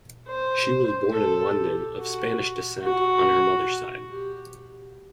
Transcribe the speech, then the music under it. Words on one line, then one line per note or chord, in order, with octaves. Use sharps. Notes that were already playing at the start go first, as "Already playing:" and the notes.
She was born in London, of Spanish descent on her mother's side.
C5
A4
G4
F#4
F#4
G4